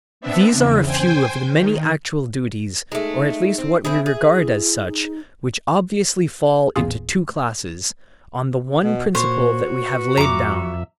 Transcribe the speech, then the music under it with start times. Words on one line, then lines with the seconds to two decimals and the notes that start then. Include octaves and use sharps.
These are a few of the many actual duties, or at least what we regard as such, which obviously fall into two classes on the one principle that we have laid down.
0.21 B3 C4 D4 E5
0.52 E2 C#3
0.83 C5 G5 G#5
1.52 D#3
2.92 G#3 A3 D#4
3.58 C4
3.85 C4 E4 G#4 E5
4.06 G#4
4.33 E4
4.87 D#4
6.76 A1 E2 A#2 F4 G#4
8.84 B2
9.15 A#2 F#4 C5 C#5
9.90 B4
10.17 F2 E5 A#5 D6